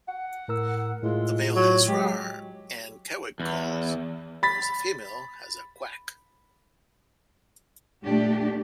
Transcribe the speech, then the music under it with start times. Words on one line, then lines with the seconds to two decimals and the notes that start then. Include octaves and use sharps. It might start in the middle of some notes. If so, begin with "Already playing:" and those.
The male has "rarr" and "cawick" calls, whereas the female has a "quack".
0.08 F#5
0.48 A2 A#4 E6
1.03 A2 G#3 F4
1.56 F#3
1.88 F#3 G#3 G4
3.40 E2
4.43 B5 A6 B6
8.04 A#2 A3 D4 G4